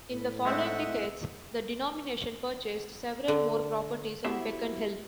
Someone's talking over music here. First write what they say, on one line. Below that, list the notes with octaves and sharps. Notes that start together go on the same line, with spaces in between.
In the following decades, the denomination purchased several more properties on Beacon Hill.
A2 B4
G#3 A3 C4 E4 D#5 E5 F#5
D3
B3 E4 F#4 G4 C5 E5